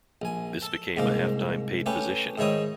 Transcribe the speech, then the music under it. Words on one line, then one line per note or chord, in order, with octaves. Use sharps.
This became a half-time paid position.
A#1 G#5
A4
C2 G#2 A#3 D6
A3 C#4 G4 B4
G#2 D#3 E4 C#5 D#6